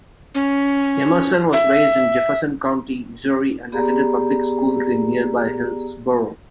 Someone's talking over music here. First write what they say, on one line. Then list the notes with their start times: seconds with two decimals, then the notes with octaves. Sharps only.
Emerson was raised in Jefferson County, Missouri and attended public schools in nearby Hillsboro.
0.35 C#4
1.53 E5
3.72 B3 G4 G#4 D5 A#5